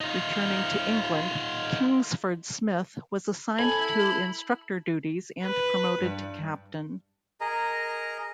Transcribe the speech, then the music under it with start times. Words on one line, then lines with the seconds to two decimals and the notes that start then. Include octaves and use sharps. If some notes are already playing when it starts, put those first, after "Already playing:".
Returning to England, Kingsford Smith was assigned to instructor duties and promoted to Captain.
0.01 D#4 F4
3.59 A4 G#5 B5
3.79 E4
5.43 B4
6.02 G2
7.41 G#4 A#4 D#5 A#5